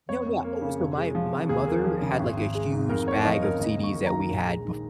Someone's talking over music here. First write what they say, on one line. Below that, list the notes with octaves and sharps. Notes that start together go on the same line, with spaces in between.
No, yeah, oh, so my my mother had, like, a huge bag of CDs that we had before,
F2 C#5
F2
A#3
C#3
F1
G#3
F3
F2
D#2 G#4
A#3
F3
C#3
G#1
G#1
G#3
G#2
F2 A#4
A#3 C#5
F3 D#5
C#3 A#4
D#2 D#5
D#2
C#6
A#3
A#5
D#3
A#1
G#3
D#3